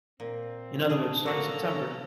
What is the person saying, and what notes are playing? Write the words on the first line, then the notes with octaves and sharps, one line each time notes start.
in other words, starting September,
A#2 C4
D4 G#4
A2 F3 A#3 F#4 A4 A#5
C#4